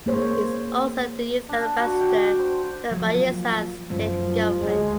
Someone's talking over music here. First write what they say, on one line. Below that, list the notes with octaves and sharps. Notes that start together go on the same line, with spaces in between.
He is also the Youth Ambassador to the Bayelsa State Government.
A#3 G#4 C5 C#5
D4
F#4
G5
C5
F3 F#3 A#3
F#2 F3 F#3 A3
D2 G#3